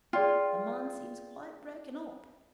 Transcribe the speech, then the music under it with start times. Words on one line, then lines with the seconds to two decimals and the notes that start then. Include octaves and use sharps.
'The man seems quite broken up.
0.13 F4 G#4 D5 G5